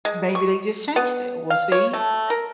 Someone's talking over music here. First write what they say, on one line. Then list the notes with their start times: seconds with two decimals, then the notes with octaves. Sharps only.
maybe they just changed it, we'll see.
0.05 G#3
0.35 C#6
0.96 B3
1.50 F5
1.72 C#5
1.93 A3
2.30 A#4